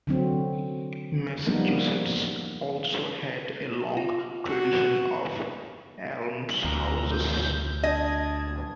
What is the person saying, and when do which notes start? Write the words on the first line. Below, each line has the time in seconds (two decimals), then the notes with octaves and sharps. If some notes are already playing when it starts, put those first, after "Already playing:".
Massachusetts also had a long tradition of almshouses.
0.07 D3 F#3 C4
1.47 F3 G3 A#3 B3 D#4 A#4
3.97 F4
4.47 F#4
6.64 D2 A#5
7.11 G6
7.83 D4 D#5 G#6